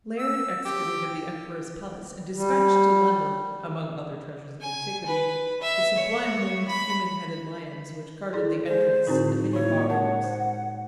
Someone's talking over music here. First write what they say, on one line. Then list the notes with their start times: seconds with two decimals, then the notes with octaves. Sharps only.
Layard excavated the emperor's palace and dispatched to London, among other treasures of antiquity, the sublime winged human-headed lions which guarded the entrance, and many bas reliefs.
0.19 E6
0.65 G4
2.36 G3
4.61 G#5
5.06 B4
5.61 E5
5.98 C#5
6.68 B5
8.33 E4 G#4 A4 D5 C6
8.66 G#3 G#4 C5
9.07 A2 D3 C4 D#4 E4 F#4
9.53 A#3 E4 F4 C#5
9.90 G#3 A#4 F#5 A5
10.24 C5